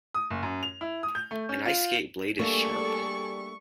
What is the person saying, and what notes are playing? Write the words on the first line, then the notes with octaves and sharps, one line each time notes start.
An ice skate blade is sharp.
D#6
F#1
F#2
F7
E4
D#6
G6
A3
C#4
F4
G3 A3 A#3 D4 G#4 A4 D5 C#6